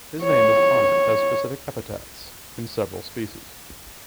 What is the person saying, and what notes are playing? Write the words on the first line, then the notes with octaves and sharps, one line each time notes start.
His name is honoured as specific epithets in several species.
C#5